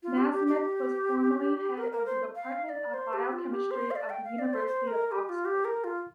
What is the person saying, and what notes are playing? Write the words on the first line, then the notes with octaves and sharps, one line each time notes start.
Nasmyth was formerly head of the Department of Biochemistry of the University of Oxford.
F4
G4
G4
G4
A#4
A#4
C5
F5
F5
D5
C5
G4
F4
G4
C5
F5
D5
G5
F5
D5
C5
C5
A#4
A#4
G4
G4
F4
G4
A#4
F4